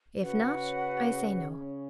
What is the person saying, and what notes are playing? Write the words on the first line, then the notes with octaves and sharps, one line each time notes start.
"If not, I say no."
C#3 C#4 F#4 B4 F#5